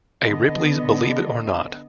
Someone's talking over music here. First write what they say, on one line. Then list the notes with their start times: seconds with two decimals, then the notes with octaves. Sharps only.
A Ripley's Believe It or Not!
0.22 D3 B3 D#5